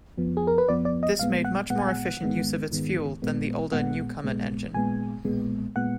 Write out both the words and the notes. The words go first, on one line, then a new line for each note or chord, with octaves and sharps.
This made much more efficient use of its fuel than the older Newcomen engine.
F2 F3 B3
G#4
A#4
B4
F2 F3 B3 D5
D5
D#5
A#1 A#2 G#3 B3 F5
F#5
A#1 A#2 G#3 B3 F#5
G#5
F#5
G#1 G#2 D#3 G#3 B3
G#1 G#2 D#3 G#3 B3
A#1 A#2 G#3 B3
A#1 A#2 G#3 B3 F#5
A#1 A#2 G#3 B3
A#1 A#2 G#3 B3 G#5
B1 A#2 G#3 B3
A#2 G#3 B3 F#5